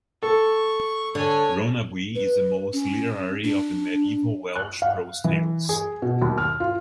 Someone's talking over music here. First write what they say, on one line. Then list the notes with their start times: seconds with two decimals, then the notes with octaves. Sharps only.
"Rhonabwy" is the most literary of the medieval Welsh prose tales.
0.23 A4 C#6
1.15 D3 C#5 G#5
2.15 B4
2.73 C#4
3.44 D4
4.56 F#6
4.82 F5
5.24 E3
5.69 G#4
6.02 B2
6.22 D#2
6.38 F6
6.60 F4